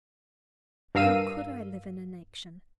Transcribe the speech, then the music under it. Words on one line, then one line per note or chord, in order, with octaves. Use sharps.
How could I live in inaction?
G2 A#4 F5 E6 D#7